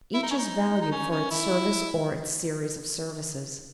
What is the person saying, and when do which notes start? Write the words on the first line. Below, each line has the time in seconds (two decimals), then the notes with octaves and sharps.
Each is valued for its service or its series of services.
0.14 E4
0.23 D#4
0.31 C#4
0.39 D#4
0.82 D#4
0.91 C#4
1.11 C#4
1.31 E4